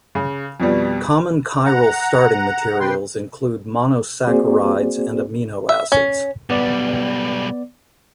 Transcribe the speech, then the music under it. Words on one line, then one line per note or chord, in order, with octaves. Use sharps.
Common chiral starting materials include monosaccharides and amino acids.
C#3
F2 B2 G3
F#5 A#5
C3 B4 G5 C6
A#3 C4 F#4 G#4 C5 D5
E5
C#4
B1 G3 B3 D5